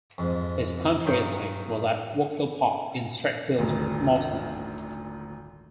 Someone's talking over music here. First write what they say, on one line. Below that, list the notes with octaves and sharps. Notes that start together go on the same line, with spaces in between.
His country estate was at Wokefield Park in Stratfield Mortimer.
F2 G#2
G2 F#3 D#4 G5
D#1 G#1 D2